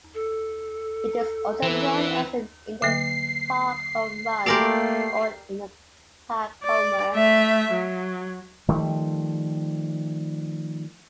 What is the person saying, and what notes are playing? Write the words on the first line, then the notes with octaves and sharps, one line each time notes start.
It is also known as an "in-the-park home run" or "in the park homer".
A4
E3 C4 B4
D3 F#3 A#3 C7
A3 A#3 F#4 G4 A#4 D5 G#5 C6
D5
A3 E5
F#3
D#3 F3 G3 A3